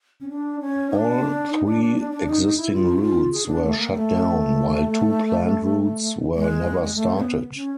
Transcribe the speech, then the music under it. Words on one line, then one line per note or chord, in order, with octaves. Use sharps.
All three existing routes were shut down, while two planned routes were never started.
C#4
D4
C#4
D#4
D4
D#4
D4
D4
D4
D4
D#4
D#4
E4
F4
E4
F4
G#4
D4
A3
A#3
A3
G#3
G#3
A3
C#4
B3
C#4